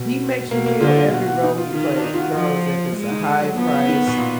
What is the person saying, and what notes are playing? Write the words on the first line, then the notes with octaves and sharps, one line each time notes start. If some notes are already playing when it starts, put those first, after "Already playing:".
He makes you feel every role he plays, regardless if it's a high priced
Already playing: B2
B2 A#3
A#3
D3 F4
F4
B2 F#4
F#4
D#4
F4
D#3 F4
D4
D#4
F4
F#4
F3 F4
G#3
D#4
D4
F#3
F3 B3
D#3
B2
A#2